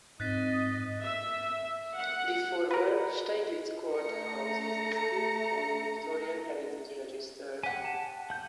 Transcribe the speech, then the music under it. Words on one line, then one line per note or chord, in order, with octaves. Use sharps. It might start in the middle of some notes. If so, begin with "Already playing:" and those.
The former Steiglitz Court House is listed on the Victorian Heritage Register.
G#2 C4 D#5 F#6 A6 B6
E5
F#5
A#4 B4
A3 A#5 A#6 C#7
G4 F#5 G#5
A5
F#5 G6